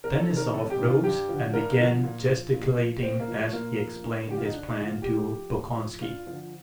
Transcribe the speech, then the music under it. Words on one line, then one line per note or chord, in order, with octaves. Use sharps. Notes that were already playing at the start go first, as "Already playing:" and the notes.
Denisov rose and began gesticulating as he explained his plan to Bolkonski.
F2 A#4
A4
C3 D#3
A#4
F2 A4
G4
C3 D#3
F4
G2 G4
D3 F3
G2 A#4
D3 F3
A#2
F3
A#2
F3
A#2 C4
A#3
F3
A3
A#2 A#3
F3
G2
D3 F3 G4
F4
D#4
G2 D4
D#4
D3 F3
F4
A#2 G4
F3
A#2
F3
G2 F4
D3 F3